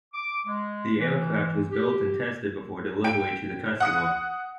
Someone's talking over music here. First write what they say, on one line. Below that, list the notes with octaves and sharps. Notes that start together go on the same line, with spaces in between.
The aircraft was built and tested before delivery to the customer.
D6
G#3
E3
G4
G5 D7
F#5 D#6 C#7